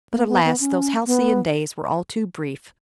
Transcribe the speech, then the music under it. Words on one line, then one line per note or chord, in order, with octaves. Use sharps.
But, alas! those halcyon days were all too brief.
A#3
B3
B3
C#4
B3